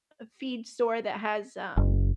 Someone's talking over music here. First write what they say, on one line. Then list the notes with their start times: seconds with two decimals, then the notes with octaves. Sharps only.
a feed store that has, um,
1.77 F#1